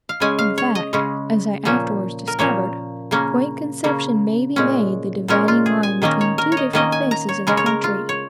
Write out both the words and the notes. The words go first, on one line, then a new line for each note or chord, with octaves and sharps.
In fact, as I afterwards discovered, Point Conception may be made the dividing line between two different faces of the country.
F5
C#3 G#3 C#4 G#5
F5
C#5
D#5
C#3 G#3 C#4
A#2 F3 A#3 C#4
A#4
A#2 F3 A#3 C#4 C#5
C#3 A#3 C#4
C#3 A#3 C#4
A#2 G#3 C#4
A#2 G#3 C#4 A#4
F4
G#4
G#5
D#3 A#3 C#4 D#5
C#5
A#4
C#5
D#5
D#3 A#3 C#4 D#5
G#5
A#5
C#5
C#3 G#3 C#4 A#4
C#5
A#4
F4
C#5